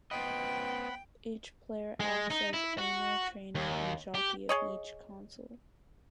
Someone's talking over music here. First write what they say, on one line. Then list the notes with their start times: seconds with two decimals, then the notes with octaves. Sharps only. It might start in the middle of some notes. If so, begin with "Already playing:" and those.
Each player acts as owner, trainer, and jockey at each console.
0.11 B3 C5 D#5 F#5 G5 B5
2.00 G#3
2.30 D#4
2.53 E4
2.78 F#4
3.55 D#2
4.15 G4
4.49 G#4 C#5 D#5